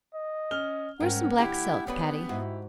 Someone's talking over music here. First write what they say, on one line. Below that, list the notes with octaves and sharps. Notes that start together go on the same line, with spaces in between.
"Where's some black silk, Patty?"
D#5
C#4 F6 G7
G#2 C#4 A#4 F#5 G5
D2 E4 G4
B3 C#4 D4 B4
G#2 E4 F#4